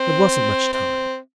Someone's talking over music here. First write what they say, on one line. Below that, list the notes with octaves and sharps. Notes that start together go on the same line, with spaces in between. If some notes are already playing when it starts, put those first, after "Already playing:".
There wasn't much time.
Already playing: C4
C4